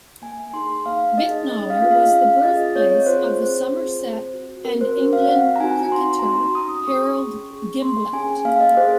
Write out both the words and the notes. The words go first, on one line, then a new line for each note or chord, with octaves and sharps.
Bicknoller was the birthplace of the Somerset and England cricketer Harold Gimblett.
A#3 G#5
D#4 G#4 C6
A#3 F5
D#4 G#4 D#5
C#4 D#5
F5
F4 G#4
F5
C#4 F5
F4 G#4 D#5
C4 C#5
F4 G#4 C5
C4
F4 G#4
C4
F#4
C4 A#4
C5
F#4
F5
C4 F#5
A#5
D#4 F#4 G#5
C4 C6
A#5
D#4 F#4 C6
C#4 D#6
G#4 C#6
C#4
G#4
A#3 C6
C#4 G#4 G#5
A#3 F5
D#5
C#4 G#4 C5